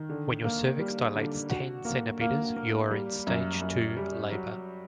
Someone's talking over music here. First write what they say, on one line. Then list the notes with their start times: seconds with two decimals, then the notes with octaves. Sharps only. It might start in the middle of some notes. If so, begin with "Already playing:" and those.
When your cervix dilates ten centimetres you are in stage two labour.
Already playing: D#3
0.10 D3
0.44 A#3
0.79 G3
1.15 D3
1.50 F#4
1.85 A#3
2.21 A#3
2.56 A#3
2.91 G3
3.27 F#2
3.61 F#2
3.97 G3
4.32 F#3